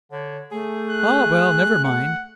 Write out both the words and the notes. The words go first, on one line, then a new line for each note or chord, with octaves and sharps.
Ah, well, never mind.
D3 C#5
A3 G#4
F#6
F#5